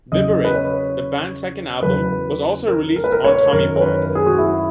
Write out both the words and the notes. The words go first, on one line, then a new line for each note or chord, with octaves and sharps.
"Viberate", the band's second album, was also released on Tommy Boy.
E2 C#3 F#3 D#5
B4
C#5
E2 C#3 F#3 B4
A#4
A#4
B4
A#4
C#5
F#2 D#3 F#3 A#4
C#5
B4
G#4
F#4
E4